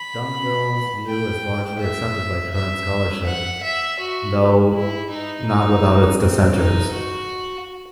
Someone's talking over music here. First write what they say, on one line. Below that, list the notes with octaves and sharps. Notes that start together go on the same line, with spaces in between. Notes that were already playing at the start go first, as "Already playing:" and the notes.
Dumville's view is largely accepted by current scholarship, though not without its dissenters.
Already playing: B5
G5
E5
E5
F#5
E5
F#4
E4
D#4
D#4
C4
D#4
F#4